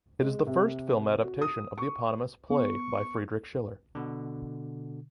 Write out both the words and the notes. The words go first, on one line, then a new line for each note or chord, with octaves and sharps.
It is the first film adaptation of the eponymous play by Friedrich Schiller.
G#3
C3
F#4
D#6
C#6
B3 C#6
B2 D3